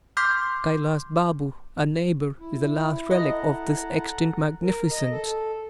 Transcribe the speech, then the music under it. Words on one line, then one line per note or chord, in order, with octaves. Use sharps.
Kailas Babu, our neighbour, is the last relic of this extinct magnificence.
C6 D6 F6 G6 B6 C7
E4
A4 D#5 F#5 A#5
A#4
D#5
A4